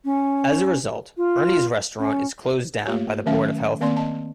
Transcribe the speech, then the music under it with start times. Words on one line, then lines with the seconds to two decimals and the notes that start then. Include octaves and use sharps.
As a result, Ernie's restaurant is closed down by the Board of Health.
0.05 C#4
1.17 F4
1.99 C#4
2.86 A3 A#3 F4 G4 C#5
3.26 D#3 F#3 A3 C#4 E5 F5
3.81 D#3 A#3 C4 D5 C6
3.97 D#5 A5